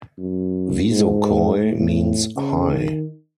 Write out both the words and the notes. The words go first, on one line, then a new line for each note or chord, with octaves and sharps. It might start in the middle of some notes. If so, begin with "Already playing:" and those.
Visokoi means "high".
F#2
G#2
A2
C#3
D#3